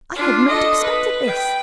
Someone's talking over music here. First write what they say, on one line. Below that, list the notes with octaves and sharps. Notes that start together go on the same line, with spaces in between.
'I had not expected this.
D4 F4
A4 D#5
B4
G5